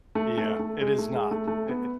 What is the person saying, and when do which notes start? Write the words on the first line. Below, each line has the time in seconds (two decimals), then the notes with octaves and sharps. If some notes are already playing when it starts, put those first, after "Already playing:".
Yeah, it is not. I It
0.15 A3
0.37 A3
0.59 A3
0.81 G#3
0.98 A3
1.14 G#3
1.31 A3
1.47 A3
1.69 B3